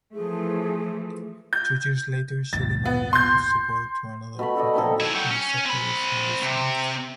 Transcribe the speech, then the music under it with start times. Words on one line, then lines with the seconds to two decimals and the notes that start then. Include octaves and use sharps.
Two years later, Suleyman lent his support to another pretender, Nicephorus Melissenus.
0.14 E3 F3 A3 G#4
1.53 G6
2.53 A#1 D#2 G#2 A6
2.85 B3
3.13 C6 G6
4.39 B2 A3 B5
4.55 F#4 A4 D5 D#5
4.74 A#3 C4 D#4 A4
5.00 E4 G#4
5.15 F#3 G4
5.31 C#4
5.66 C4 B5
6.42 C3